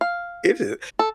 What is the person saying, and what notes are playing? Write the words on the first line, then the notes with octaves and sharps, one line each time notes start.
it ju
F5
A4